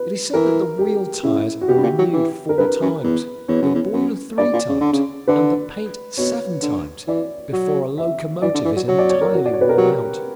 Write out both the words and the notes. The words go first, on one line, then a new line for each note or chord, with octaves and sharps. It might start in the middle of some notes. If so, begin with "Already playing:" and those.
It is said that the wheel-tires are renewed four times, the boiler three times, and the paint seven times, before a locomotive is entirely worn out.
Already playing: B4
E3 A#4
G4
C#3 E4
F#4
B2 G4
G2
A#2
F#3
E3
A#4
G2 B4
F#2
E2
E2 C#5
F#2
E2
F#2
G2 D5
A#2
C#3
D3
C#3
D3 B4
B2 C#5
D3
E3 D5
F#3
E5
E3 D5
D3
E3
F#3
F#3 C#5
D5
C#5
A#4
F#4
D5
C#5
B4
A#4
F#3 G4